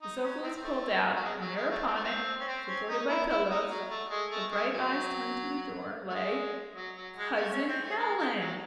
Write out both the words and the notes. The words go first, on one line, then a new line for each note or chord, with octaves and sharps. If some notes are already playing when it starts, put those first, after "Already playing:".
The sofa was pulled out and there upon it, supported by pillows, her bright eyes turned to the door, lay--Cousin Helen!
D#4
C#4
C4
C4
A3
F#3
G#3
F#3
G#3
A3
C4
A3
C4
C#4
C4
C#4
D#4
E4
E4
D#4
F#3
A3
G#3
A3
G#3
F#3
A3
G#3
F#3
F#3
G#3
A3
C#4
C#4
C4
A3
G#3
G#3
F#3